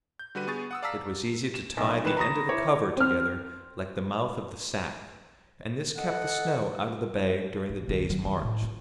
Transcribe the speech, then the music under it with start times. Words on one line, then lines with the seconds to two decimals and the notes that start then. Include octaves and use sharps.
It was easy to tie the end of the cover together like the mouth of the sack, and this kept the snow out of the bag during the day's march.
0.19 G6
0.35 D3 G3 F#4 B4 D#7
0.47 B3 G#4 C#6 A6 D#7
0.71 F#5 D#6 E6
0.83 D5 F5 A5 A#5 E6 B6
1.54 E7
1.77 B1
2.04 D#3 B4 B5 E7
2.17 A#5 B5 C#6 D#6 A#6
2.49 E4 C#5 D6
2.96 C4 F6
5.96 A4 D#5 F#5
7.70 G#2
7.87 D2 D3
8.10 D#3 F#3
8.25 F2
8.43 A2
8.62 F4